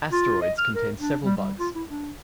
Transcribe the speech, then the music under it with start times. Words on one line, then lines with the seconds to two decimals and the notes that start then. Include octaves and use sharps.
"Asteroids" contains several bugs.
0.12 F4
0.42 D#5
0.58 F6
0.75 A#4
0.98 D4
1.24 G3
1.36 G3
1.59 F4
1.75 E4
1.89 D4